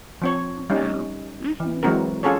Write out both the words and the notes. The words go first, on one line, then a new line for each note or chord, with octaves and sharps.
oh, wow. Mhm.
F3 C4 C#5
G3 C#4 D#4
E3
E3 F#3 G#3 C4 F#4 A#4
C#4 F4 G#4 A4 C#5